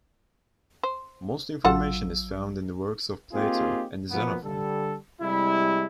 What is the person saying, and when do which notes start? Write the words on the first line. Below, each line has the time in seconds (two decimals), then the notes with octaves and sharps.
Most information is found in the works of Plato and Xenophon.
0.83 C5
1.65 A1 F#3 F4 A4 F#5 E6
3.34 A#3 C4 D#4 F4 G4 G#4
4.11 B2 F3 A#3 B3
4.44 D3 G3 A4
5.22 C3 G3 G#3 E4